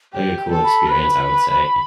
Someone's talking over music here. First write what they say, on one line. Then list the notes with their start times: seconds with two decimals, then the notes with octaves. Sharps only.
like a cool experience, I would say.
0.13 G4 G5
0.38 G5
0.51 A4
0.63 B5
0.87 B4 B5